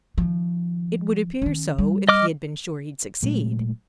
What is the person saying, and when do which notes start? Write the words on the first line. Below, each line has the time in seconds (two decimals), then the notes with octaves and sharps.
"It would appear so if he had been sure he'd succeed."
0.18 D#3 F3
1.42 D#3 C#4
1.78 G3
2.08 D#5 D6 F6
3.23 A#2 F#3 G#3 A3